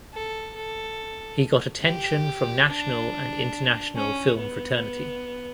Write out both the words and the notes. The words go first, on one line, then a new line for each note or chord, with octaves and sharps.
He got attention from national and international film fraternity.
A4
A4
G4
D4
C#4
B3